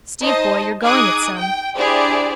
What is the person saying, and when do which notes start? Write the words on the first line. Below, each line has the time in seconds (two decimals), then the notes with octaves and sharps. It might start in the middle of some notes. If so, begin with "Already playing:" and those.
Steve boy, you're going it some.
0.21 D#4 C5 D#5 A5
0.83 D#4 G#4 D6 D#6 F#6 G#6
1.35 G5
1.76 D4 E4 G4 G#4 C5 D5